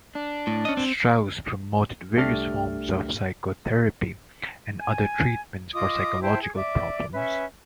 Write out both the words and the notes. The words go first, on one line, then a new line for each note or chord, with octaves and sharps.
Strauss promoted various forms of psychotherapy and other treatments for psychological problems.
D4
A2
C#4 D#5
C4
C2 A3 D4 G4 F6 A6
G#5
F4 D#5 D6 D#6
E4 C5 G5 A5
G#4
D5 E5 D6
C#4 B4 E5